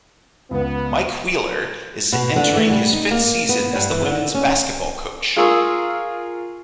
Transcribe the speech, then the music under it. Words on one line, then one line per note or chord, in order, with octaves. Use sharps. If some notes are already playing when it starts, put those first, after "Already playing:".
Mike Wheeler is entering his fifth season as the women's basketball coach.
C#2 B3
B2
D3
A3
G3
D#4
A#3
B3
G2
E3
D3
C#4
F4 G#4 A#4 C#6 D#6 E6